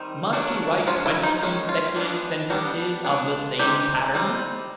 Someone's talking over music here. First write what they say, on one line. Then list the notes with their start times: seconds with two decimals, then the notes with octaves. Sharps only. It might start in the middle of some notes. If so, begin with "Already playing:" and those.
Must he write twenty consecutive sentences of the same pattern?
Already playing: D#3 G3 C4 D#4
0.33 F#3 A3 D4
0.87 F3 G#3 C#4 F4
1.06 E4
1.23 D#4
1.41 D#3 G#3 C#4
1.69 F4
1.96 E3 G3 B3 D4
2.50 G3 B3 D4 F#4
3.05 G#3 B3 D4
3.59 E3 G#3 C4 D#4 G4
4.14 G3 C4 D#4